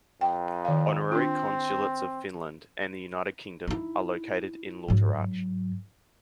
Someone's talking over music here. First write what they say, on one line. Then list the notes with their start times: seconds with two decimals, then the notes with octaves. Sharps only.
Honorary consulates of Finland, and the United Kingdom are located in Lauterach.
0.21 F2 G5
0.65 D#3 F5
1.12 C4 D4 F4
3.68 D#4 E4
4.88 G#2 F#3